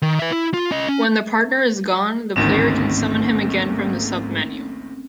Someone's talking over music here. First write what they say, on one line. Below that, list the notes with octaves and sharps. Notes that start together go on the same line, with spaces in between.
When the partner is gone, the player can summon him again from the sub-menu.
D#3
B4 E5
E4
F4
C#4 D#5
C#4
A1 D2 G#2 D#3 A3 A#3 C4 C#4